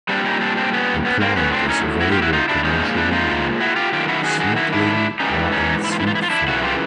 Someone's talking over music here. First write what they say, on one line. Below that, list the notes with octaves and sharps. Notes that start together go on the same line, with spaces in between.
The plant is available commercially in seedling or in seed form.
A#2 G3 C4 D4
C#4 D#4
C4 D4
C4 D4
B3 C#4
B3 C#4
A#3 C4
A2 F#3 B3 C#4
C4 D4
C#4 D#4
E4 F#4
F4 G4
E4 F#4
D#4 F4
D4 E4
A#2 F3 G#3 C#4 D#4
D4 E4
D#4 F4
E4 F#4
F4 G4
F#2 D#3 F4 G4
E4 F#4
F#4 G#4
F#4 G#4
E4 F#4
D4 E4
G#2 E3 G3 C#4 D#4
C#4 D#4
E4
F4
E4
F4
E4
F4
D4 E4
F#2 C#3 E3 E4 F#4
F4 G4